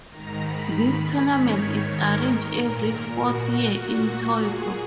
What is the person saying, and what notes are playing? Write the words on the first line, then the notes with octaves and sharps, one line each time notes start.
This tournament is arranged every fourth year in Tokyo.
G#2 D#3 A#5
B5
G#2 D#3 C#5
A#4
A#2
F#4
A#2 F#4
G#4